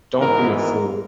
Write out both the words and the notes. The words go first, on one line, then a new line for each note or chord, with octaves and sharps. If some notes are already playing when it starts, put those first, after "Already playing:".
Don't be a fool.
G#1 G#2 E3 B3 A#4
A#4